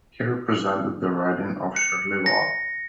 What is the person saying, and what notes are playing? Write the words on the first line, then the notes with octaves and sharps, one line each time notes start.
He represented the riding of Charlevoix.
C#7
A#6